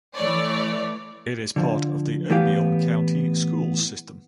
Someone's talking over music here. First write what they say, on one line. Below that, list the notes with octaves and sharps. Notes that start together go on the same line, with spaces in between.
It is part of the Obion County Schools system.
E3 A3 C#5 D5
D3 F3
A2 E3 B3 G4 F5